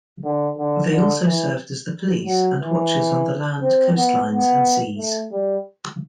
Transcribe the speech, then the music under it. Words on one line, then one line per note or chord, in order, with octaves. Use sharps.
They also served as the police and watchers on the land, coastlines and seas.
D3
D3
D3
E3
F#3
E3
C4
B3
B3
A3
G3